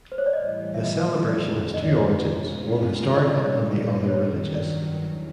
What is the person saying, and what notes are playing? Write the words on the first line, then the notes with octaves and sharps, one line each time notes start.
The celebration has two origins, one historical and the other religious.
C5
C#5
D5
A2 E3 G3 D#5
E5
D#5
F2 D3 F3 A3 D5
D#5
D5
C#5
D5
B2 G#3 C#4 F4
A#2 G3 A#3 D#4 D#5
D5
C#5
G2 D#3 F#3 C#5
D5
E2 C#3 E3